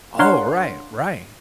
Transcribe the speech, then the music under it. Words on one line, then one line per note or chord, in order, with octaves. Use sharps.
Oh, right, right.
D4 A#4 C#5 F5 F#5 C6